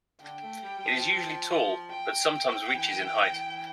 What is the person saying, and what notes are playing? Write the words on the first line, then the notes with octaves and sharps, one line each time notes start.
It is usually tall, but sometimes reaches in height.
D3 G5
A3
G3
G3
F3
G5
E3